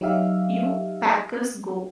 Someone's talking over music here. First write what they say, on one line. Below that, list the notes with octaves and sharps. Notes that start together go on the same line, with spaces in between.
You Packers Go!
F#3 D#4 G4 E5 F5